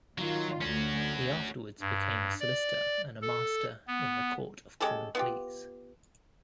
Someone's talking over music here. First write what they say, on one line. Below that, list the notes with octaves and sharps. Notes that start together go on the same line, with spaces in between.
He afterwards became a solicitor and a master in the Court of Common Pleas.
D#3 F#3 F4
D2 C#4 F#4
G2
D5
A4
B3
G#3 C#4 G4 A4
B3 F4 G4